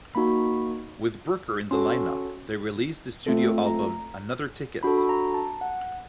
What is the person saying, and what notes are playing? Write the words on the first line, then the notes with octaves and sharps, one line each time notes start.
With Brooker in the lineup, they released the studio album "Another Ticket".
A#3 D#4 F#4 B5
C#4 F#4 A4 C6
A3 C4 F4 A4
A#5
D4 F#4 A4 B5
B5
A#5
A5
F#5